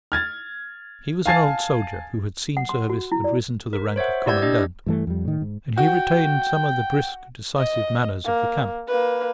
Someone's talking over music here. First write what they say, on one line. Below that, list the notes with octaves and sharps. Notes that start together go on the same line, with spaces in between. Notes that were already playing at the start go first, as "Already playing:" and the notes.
He was an old soldier, who had seen service and risen to the rank of commandant; and he retained some of the brisk decisive manners of the camp.
F6 G#6 A6
F5 G#5 A5 G#6 A6 C7
F#5
C6
F#4
E4
D5
A#4
C5 C#5 E5 F#5
E4 G4 D5 E6 G6 G#6
D4 G4 D#5
G2 E3 A3
F2 G3
A2 D#3
G#2
F#4 G5
D#5
A#3
A#3 B4